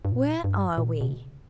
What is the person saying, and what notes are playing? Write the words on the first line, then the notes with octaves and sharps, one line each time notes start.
'Where are we?
G2
A#2
G2
A#2
B2
C#3